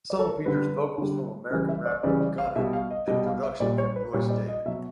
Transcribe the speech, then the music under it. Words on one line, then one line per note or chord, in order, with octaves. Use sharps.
The song features vocals from American rapper Gunna and production from Royce David.
D5
A4
A#4
D3 G3 B4
D3 G3
C#3 E3 G3 A#4
E5
D5
C#3 E3 G3 D5
D5
F5
B2 G3 E5
F5
D#5
B2 G3 D#5
F5
E5
A#2 G3 D5
C#5
B4
A#2 G3 C#5
D5
D#5
B2 F#3 E5